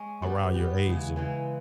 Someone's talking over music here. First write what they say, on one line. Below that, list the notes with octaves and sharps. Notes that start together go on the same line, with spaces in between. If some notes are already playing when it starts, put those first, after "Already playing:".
around your age and
Already playing: G#3 C#4 G#4
G3 B3 G4
G3 B3 G4
C#3 E3 G#3
C#3 E3 G#3